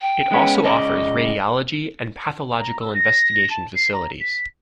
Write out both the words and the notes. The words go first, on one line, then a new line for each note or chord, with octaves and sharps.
It also offers radiology and pathological investigation facilities.
G5
G#3 B3 C#4
C#2 C#3 D5 D#5
A#5
E6
A#6
A5
C7
A#5
B6